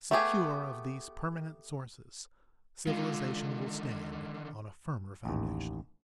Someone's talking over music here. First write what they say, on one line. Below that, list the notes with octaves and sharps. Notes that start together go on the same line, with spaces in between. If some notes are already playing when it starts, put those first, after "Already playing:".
Secure of these permanent sources, civilization will stand on a firmer foundation.
A3 B3 G4 G#4
D3 D#3 G#3 F4
A1 D#2